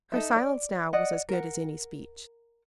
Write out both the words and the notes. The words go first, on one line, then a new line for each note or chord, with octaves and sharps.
Her silence now was as good as any speech.
D#4 A4 E5
D5
D5 D#5 F#5
A#4 F#5